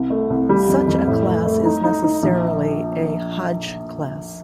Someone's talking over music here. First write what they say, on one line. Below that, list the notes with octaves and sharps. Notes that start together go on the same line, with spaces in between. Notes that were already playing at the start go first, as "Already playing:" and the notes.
Such a class is necessarily a Hodge class.
Already playing: C2
A3
C2
G3
F2
F2
A2
A3
A3
D#4
D#4
D#4
A#1